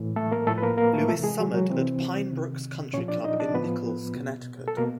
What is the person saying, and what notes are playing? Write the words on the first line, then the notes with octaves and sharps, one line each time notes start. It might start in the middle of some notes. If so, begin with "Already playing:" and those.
Lewis summered at Pine Brook Country Club in Nichols, Connecticut.
Already playing: A2 E3
A3 A4
A#3 A#4
A2 F3 A3 A4
B4
A#3 A#4
A#3 A#4
A3 A4
C3 E3 A3 A4
G#3 G#4
F#3 F#4
F#3 F#4
C3 E3 C4 C5
C3 D#3
A#2 F3 C#4 C#5
D4 D5
D#4 D#5
D4 D5
A2 F3 B3 B4
B2
A4
B2 A#3 A#4